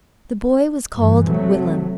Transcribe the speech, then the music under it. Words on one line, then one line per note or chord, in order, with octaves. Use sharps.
The boy was called Willem.
G2 E3
C3 F#3 A3